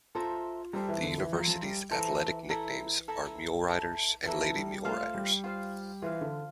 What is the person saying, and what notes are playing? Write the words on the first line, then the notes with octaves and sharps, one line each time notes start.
The university's athletic nicknames are Muleriders and Lady Muleriders.
F4 A4 C5 E5 A#5
G3 A4 C5 E5 A#5
E3
D3
E3
F3 A4 C5 E5 A#5
F3
G3
E3 A4 C5 E5 A#5
E4 A4 E5 A#5
E4 A4 E5 A#5
E4 A4 E5 A#5
E3 E4 A4 E5 A#5
G3
A3 F4 C5 F5
G3
F4 C5 F5
E3 F4 C5 F5
D3